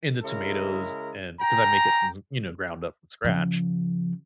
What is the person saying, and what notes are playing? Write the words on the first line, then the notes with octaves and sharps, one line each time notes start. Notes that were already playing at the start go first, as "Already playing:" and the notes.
in the tomatoes, and 'cause I make it from th you know, ground up from scratch,
C#3 G#3 E4 A#4
G5 G#5 A#5
C#3 F3